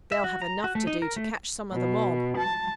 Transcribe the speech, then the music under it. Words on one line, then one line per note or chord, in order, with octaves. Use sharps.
They'll have enough to do to catch some of the mob.
E5
F#4
A#5
F#4
A3
D#4
A#4
A3
B2
A5